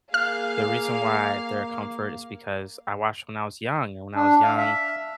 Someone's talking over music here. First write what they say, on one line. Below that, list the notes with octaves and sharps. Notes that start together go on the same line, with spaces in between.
the reason why they're a comfort is because I watched when I was young, and when I was young,
A#3 G#4 F5 F6
D4
F5
E5